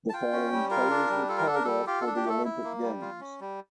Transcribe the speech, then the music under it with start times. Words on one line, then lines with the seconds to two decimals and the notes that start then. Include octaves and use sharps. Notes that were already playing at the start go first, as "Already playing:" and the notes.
The following players were called up for the Olympic Games.
0.10 A5
0.13 F4 G5
0.32 C#4
0.53 G3
0.71 F4 A#4
0.90 D4
1.10 G3
1.28 F4 A4
1.38 A#4
1.47 D4 A4
1.54 A#4
1.64 G3 A4
1.86 F4 G4
2.01 A4
2.07 D4
2.16 G4
2.25 A3 A4
2.45 E4
2.64 A#3
2.83 G3
3.02 F4
3.21 C#4
3.41 G3